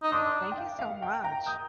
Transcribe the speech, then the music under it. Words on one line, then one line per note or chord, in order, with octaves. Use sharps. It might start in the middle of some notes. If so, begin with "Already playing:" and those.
thank you so much.
D#4
D4 C6 D#6
G5
F5
F5
G5
G5 A#5
D#6 G6